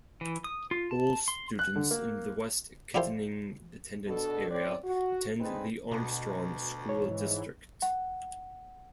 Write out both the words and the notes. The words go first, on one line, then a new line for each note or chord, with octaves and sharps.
All students in the West Kittanning attendance area attend the Armstrong School District.
E3
D#6
F4
A5
C6
F#6
D3
A#3
D4 E4 F4 G4 A4 C5
B2 D4 A4
A2 C4 C#5 D5
F#4
D3 C4 D#4 G#4 B4
D2 B2
G#2 E3 C#5
F#5